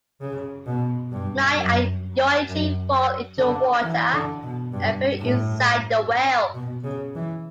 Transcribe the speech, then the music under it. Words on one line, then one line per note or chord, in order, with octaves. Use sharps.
Mai and Yoichi fall into the water, appearing inside the well.
C#3
B2
G2
F#2
F#2
D3
E3
D3
B2
G2
A2
B2
C#3
E3